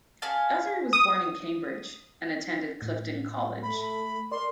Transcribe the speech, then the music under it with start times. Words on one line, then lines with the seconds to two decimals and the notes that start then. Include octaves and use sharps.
Guthrie was born in Cambridge and attended Clifton College.
0.22 C#4 G#4 F5 A5
0.93 D#6
2.82 A2
3.63 A3 B5
3.81 B5
4.32 A#4 D5 C6